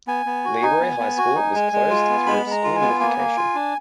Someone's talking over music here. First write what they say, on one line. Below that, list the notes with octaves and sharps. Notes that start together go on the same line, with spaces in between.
LeRoy High School was closed through school unification.
B3 G#5
B3
F#4
D#4
B3
B3
F#4
D#4
G#3
G#3
F4
B3
G#3 B5
G#3 A#5
F4
G#5
B3
A#3 G#5
A#3
F4
D4